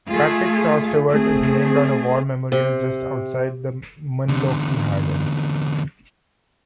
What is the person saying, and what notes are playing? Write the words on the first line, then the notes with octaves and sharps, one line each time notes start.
Patrick Shaw Stewart is named on a war memorial just outside Munlochy Highlands.
A3 F4 G#4
A3 C4 G#4
C3
E2 D3